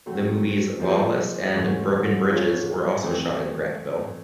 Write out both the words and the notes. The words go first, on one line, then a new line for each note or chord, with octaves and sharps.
The movies "Lawless" and "Broken Bridges" were also shot in Grantville.
F#3 A3 C4
F3 A#3 D#4 G#4 C5
G#2 E3 A3 C#4
F3 A#3 C#4 F4 G#4
E3 A3 C4